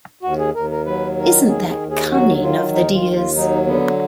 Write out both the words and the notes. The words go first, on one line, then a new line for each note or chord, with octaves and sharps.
Isn't that cunning of the dears?
D#2 F#4
G#4
D#2 A#4
A#4
F#3 B4
D#3 A#4
D#2 G#4
G#4
D#2
G#4
F#3 F#4
D#3 F4
D#2 D#4
F4
D#2
F4
F#3 D#4
D3 B3